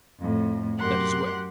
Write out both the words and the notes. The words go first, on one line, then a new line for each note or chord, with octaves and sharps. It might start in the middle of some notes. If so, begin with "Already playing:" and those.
"That is well."
F2 A2
F#2 G4 A#4 F#5 C6 F#6